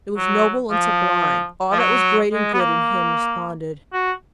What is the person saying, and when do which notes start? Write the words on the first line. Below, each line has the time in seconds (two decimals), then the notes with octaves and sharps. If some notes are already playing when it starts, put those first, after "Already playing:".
It was noble and sublime; all that was great and good in him responded.
0.17 F#3
0.71 F3
1.72 F3
1.79 F#3
2.32 G#3
2.53 B3
2.60 A#3
3.93 F#4